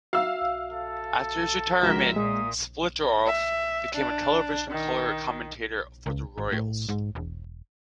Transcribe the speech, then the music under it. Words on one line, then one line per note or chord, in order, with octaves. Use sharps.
After his retirement, Splittorff became a television color commentator for the Royals.
F#4 E5 F5 E6
A4
C#2 F3 F#4 A#4 E5
A#2 G#3 D#6
E5
D4
D#3
C#2
G#1
A2
G#2
E1